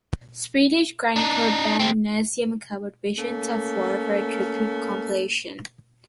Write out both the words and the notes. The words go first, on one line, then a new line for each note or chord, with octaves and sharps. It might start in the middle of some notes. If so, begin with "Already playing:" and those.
Swedish grindcore band Nasum covered "Visions of War" for a tribute compilation.
D4 D#4
G#3 C4
A3 A#3 C#4